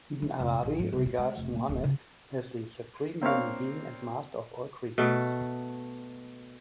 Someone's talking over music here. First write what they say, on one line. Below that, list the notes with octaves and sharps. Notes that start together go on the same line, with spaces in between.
Ibn Arabi regards Muhammad as the supreme human being and master of all creatures.
E3
F1
A#1
G#2
C2
A#2
G#3
F1
A#3
D1
C#3
A#3 C4 D4 C#5 F5
B2 A3